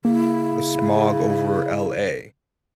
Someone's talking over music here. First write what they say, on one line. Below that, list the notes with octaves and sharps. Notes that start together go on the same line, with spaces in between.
the smog over LA.
C#3 A#3 E4